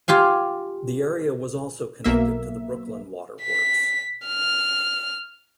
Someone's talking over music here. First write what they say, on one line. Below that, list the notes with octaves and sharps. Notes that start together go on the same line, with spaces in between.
The area was also connected to the Brooklyn waterworks.
F4 G4 F5 G#5
B1 A#3 E5
B6
F6